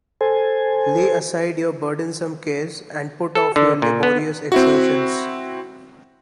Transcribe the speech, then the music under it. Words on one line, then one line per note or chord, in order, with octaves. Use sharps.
Lay aside your burdensome cares and put off your laborious exertions.
A4 C5 G#5
A4
D3
A#2
B3
C4 E4 F#4